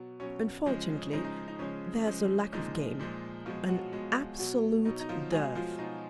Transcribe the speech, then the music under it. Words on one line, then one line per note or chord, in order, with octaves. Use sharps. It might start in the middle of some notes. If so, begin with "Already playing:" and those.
Unfortunately, there's a lack of game, an absolute dearth.
Already playing: B2 F#3
B2 F#3 C#4
C#3 F3 G#3
C#3 F3 G#3 D#4
D#4
D#4
C#3 F3 G#3 C#4
C#3 F3 G#3
A#2 F3 G#3 D#4
A#2 F3 G#3
B2 F3 G#3 F4
F#3 F#4
B2 G#3
B2 F#3
B2 F#3 D#4
D#4
F3 F4
B2 F#3 G#3 G#4
F3 F4
B2 F#3 D#4